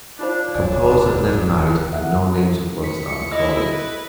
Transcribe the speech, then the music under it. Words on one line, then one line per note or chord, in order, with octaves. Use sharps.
The composer never married, and no names of lovers are recorded.
D4 D#4 F4 C5 D5 F5
E1 D2 C#5 D5 G#5
A4 E5 F#5
B6 C#7
E4 D#5
B4